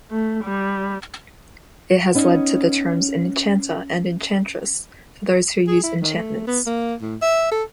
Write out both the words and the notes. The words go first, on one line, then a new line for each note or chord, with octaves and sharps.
It has led to the terms "enchanter" and "enchantress", for those who use enchantments.
A3
G3
B3 C#4 D#4
G#4
E4
D#3
A3
B3
A#3
A2
E5
A4